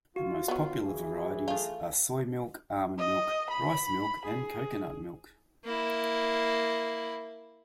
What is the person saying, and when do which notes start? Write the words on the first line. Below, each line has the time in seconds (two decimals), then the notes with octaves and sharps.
The most popular varieties are soy milk, almond milk, rice milk and coconut milk.
0.16 F4 F#4
0.48 F#3 B3
0.85 E3 G#4
1.48 A3 F4
2.99 D#5
3.51 B5
4.26 G#4
5.65 A#3 E4